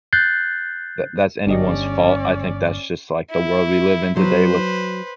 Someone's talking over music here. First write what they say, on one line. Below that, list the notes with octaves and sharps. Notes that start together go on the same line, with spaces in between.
that that's anyone's fault, I think that's just like the world we live in today with
F#6 G6 A6 C7
G1 C#4 D4 G4 D5 D#5
E4
F#3 B4 C5